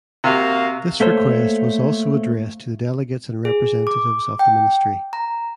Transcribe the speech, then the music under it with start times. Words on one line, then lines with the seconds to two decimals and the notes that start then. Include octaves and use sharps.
This request was also addressed to the delegates and representatives of the ministry.
0.24 C3 A#3 F#4 F5
1.00 A3 A#3 A4 C5 C#5
3.45 G#4
3.87 D6
4.39 G5
5.13 A#5